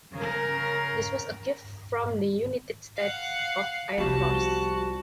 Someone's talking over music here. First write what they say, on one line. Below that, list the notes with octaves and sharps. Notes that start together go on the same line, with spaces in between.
This was a gift from the United States Air Force.
C#3 A#4
F5 F#5
C2 F3 G3 B3 F#4 A5